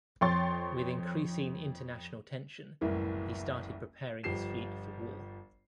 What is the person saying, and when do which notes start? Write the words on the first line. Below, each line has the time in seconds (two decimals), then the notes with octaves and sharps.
With increasing international tension he started preparing his fleet for war.
0.21 F2 C#5 G5 C6 C#6 A6
2.81 F#1 C2 A2 E3 A#4
4.24 G1 F3 G4 C7 E7